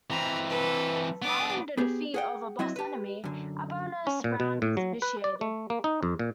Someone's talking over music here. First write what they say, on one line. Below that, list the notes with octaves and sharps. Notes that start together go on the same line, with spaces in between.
Following the defeat of a boss enemy, a bonus round is initiated.
E3 C4 A#5 B5
A4 B4
B3 D4 D6 D#6
B3 G4 G#4
G#4 F#5 G5
F#3 C4 E4 F#4 D#5 E5
G4 B4
F#2 D3
C#4
A#2
B2
A2
F#3
B4
D5
A3
A#3
D#4
F2
A#2